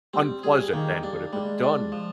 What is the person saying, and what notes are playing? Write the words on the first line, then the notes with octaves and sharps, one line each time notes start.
unpleasant then, but if it's done
G3 C4
G3 G#4
D#3 A#3
G3 D4
G3 G#3
D4
F3